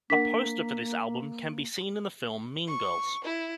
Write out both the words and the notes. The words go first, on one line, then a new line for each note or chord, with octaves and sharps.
A poster for this album can be seen in the film, "Mean Girls".
A#3 D4 A#4 F#5 B6
C#6
E4